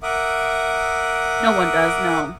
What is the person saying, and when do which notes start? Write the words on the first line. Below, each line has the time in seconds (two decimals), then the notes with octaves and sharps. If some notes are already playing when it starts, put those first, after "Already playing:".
No one does, no.
0.03 A#4 E5 F#5 D6 D#6